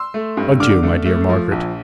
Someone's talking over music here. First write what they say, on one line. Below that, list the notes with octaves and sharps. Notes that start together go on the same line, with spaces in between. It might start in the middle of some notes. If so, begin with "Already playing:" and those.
Adieu, my dear Margaret.
Already playing: C6 E6
A3
G2
D3 D6 F6
A3
A3
F3
A#1